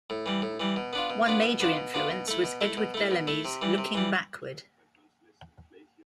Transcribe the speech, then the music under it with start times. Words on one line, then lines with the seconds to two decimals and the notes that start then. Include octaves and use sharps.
One major influence was Edward Bellamy's "Looking Backward".
0.10 A2
0.26 E3 G3
0.42 A2
0.60 E3 G3
0.76 B2
0.93 B3 D4 F4
1.10 B2
1.26 B3 D4 F4
1.43 B2
1.60 B3 D4 F4
1.77 B2
1.94 B3 D4 F4
2.10 B2
2.28 A3 E4
2.44 B2
2.61 A3 E4
2.77 B2
2.94 A3 E4
3.11 B2
3.27 A3 E4
3.45 C3
3.62 E3 G3
3.78 C3
3.94 E3 G3